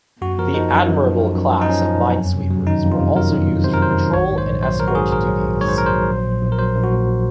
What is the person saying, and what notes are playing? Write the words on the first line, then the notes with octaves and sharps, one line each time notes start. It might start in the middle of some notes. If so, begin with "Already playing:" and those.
The "Admirable" class of minesweepers were also used for patrol and escort duties.
F#2 F#4
F3 A#4
F3 D#4
F#2
F#2
F3
F3
F#2
F#2
D#4
F3 C#4
F3
F#2
F2
C3
F#3
D#3 D#4
F2
F4
C3
F#3 A#4
D#3
F2
C3 C5
A#4
F#3 C5
D#3
A#1 C#5
G#2
C5
A#1
F#3 C5
A#1 A#4
F#4
G#2 G#4
A#1 A#4
F#3
A#1
G#2 C#5
C5
A#1 A#4
C5
F#3
A#1
A#2
A#1
A#4
F#3 C5
A#1
F#4
A#2